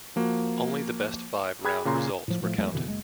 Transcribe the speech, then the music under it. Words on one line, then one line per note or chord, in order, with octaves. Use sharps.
Only the best five round results were counted.
F3 A#3 F#4
G#4 G5 B5 F#6 G#6
A#2 C#3 A#5 C6
A2 F3
A2 F3 A3
E2 F#3 G#3 A3
F2 B2 D3 E3
F#1 G#3